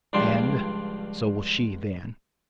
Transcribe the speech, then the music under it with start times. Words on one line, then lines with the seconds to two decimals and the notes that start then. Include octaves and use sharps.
And--so will she, then.
0.13 C#2 G2 F3 D4 C5